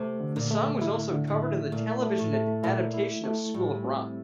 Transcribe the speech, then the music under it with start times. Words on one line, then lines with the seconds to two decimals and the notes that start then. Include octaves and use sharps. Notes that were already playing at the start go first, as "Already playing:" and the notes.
The song was also covered in the television adaptation of School of Rock.
Already playing: C3 A3
0.20 D3
0.36 A#2
0.51 A3
0.81 A2 E4
1.12 D3
1.27 A2
1.42 E4
1.72 A#2 A3
2.02 A3
2.18 A2
2.33 A3
2.64 A#2 E4
2.94 E4
3.24 A3
3.54 A2 G3
3.85 C4